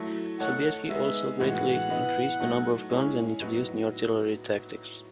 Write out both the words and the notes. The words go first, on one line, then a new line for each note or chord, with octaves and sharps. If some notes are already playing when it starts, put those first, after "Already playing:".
Sobieski also greatly increased the number of guns and introduced new artillery tactics.
Already playing: F#3 A3 E4 A4
D#3 A3 D#4 A4 C#5 F#5
G#3 B3 D#4 E5
A2 E3 G#3 B3 F#4 F#5
B3 E4 B4 D#5
F#3 A3 D#4
G#3 C#4 E4 G#4 C#5
A2 F#3 B3 D#4 F#4